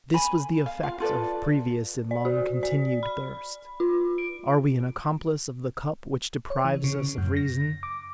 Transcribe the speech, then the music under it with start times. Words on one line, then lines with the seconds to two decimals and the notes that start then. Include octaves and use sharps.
This was the effect of previous and long-continued thirst. Are we an accomplice of the cup which deprives us of reason?
0.14 G#5 B5
0.66 F5
0.83 F4 F5
1.00 F4 A4 B4 D5
2.11 D5
2.25 F#4
2.63 D5
3.03 B5
3.80 F4
4.18 D7
6.50 C#5
6.64 E3
6.84 C#3
7.18 F#2
7.37 A#6
7.83 D6